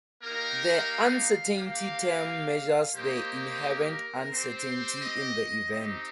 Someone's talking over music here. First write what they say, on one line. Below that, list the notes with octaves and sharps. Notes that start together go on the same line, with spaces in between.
The uncertainty term measures the inherent uncertainty in the event.
A#3 D#4 G4 A#4
F5
A#3 G4 F5
A#3 D#4 G4 C5
A#4
C4 G4 C5
D#5
C4 D#4 G4 D#5